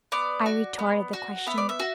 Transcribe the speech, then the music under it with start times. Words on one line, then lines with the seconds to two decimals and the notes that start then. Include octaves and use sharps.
I retorted the question.
0.12 B3 D5
0.46 F#4
0.79 B3
1.13 F#4
1.47 B3 E5
1.58 D5
1.69 E5
1.80 F#4